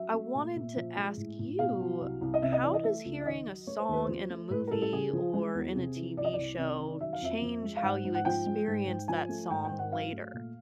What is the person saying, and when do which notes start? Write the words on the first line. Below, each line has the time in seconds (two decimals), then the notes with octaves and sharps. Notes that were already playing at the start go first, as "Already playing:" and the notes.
I wanted to ask you, how does hearing a song in a movie or in a TV show change how you experience that song later?
Already playing: F#3 E5
0.14 A3
0.35 A#2
0.56 A#2
0.77 F3
0.97 G#3
1.17 A2
1.39 A2
1.59 B2 F5
1.80 F#3
2.01 C2
2.21 C2
2.34 D#5
2.42 C3 E5
2.52 D#5
2.63 E3 D5
2.73 D#5
2.84 A3 E5
3.05 C#2
3.21 D5
3.26 D#3 D#5
3.46 F#3
3.67 A3 C#5
3.80 C5
3.89 D#2 B4
4.05 F3 C5
4.30 A3
4.50 A2 B4
4.67 A#4
4.71 A2 A4
4.82 A4
4.92 C#3 G#4
5.13 F3
5.33 G#3
5.55 E2
5.75 C3
5.96 E3
6.17 C2 D5
6.24 D#5
6.33 C2 D5
6.58 C3
6.79 D#3
7.01 F#3 E5
7.13 F5
7.22 F2 E5
7.42 F3
7.63 G#3
7.77 F5
7.83 G#2 F#5
8.05 G#2
8.15 F#5
8.25 F3 G5
8.46 G#3
8.68 G#2
8.87 G#2
9.08 F3 G#5
9.29 A3
9.50 G#2 G5
9.65 G5
9.72 G#2
9.79 F#5
9.91 F#3 F5
10.12 A3
10.34 A#2